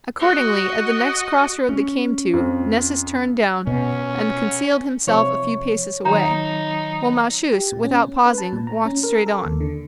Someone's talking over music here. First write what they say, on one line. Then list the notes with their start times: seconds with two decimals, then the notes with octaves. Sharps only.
Accordingly at the next crossroad they came to Nessus turned down and concealed himself a few paces away, while Malchus, without pausing, walked straight on.
0.19 F#4 D#5
1.69 C#4
2.33 F2
3.67 B2 C#4
5.07 C3 F3 C#5
6.05 D#3 F#3 D#4 A#5
7.52 G4
7.72 A#2
7.84 C#4
8.26 B4
8.38 A5
8.53 A#2
8.67 A#5
8.85 C#4
9.03 A#4
9.26 A4
9.45 D#2
9.60 D3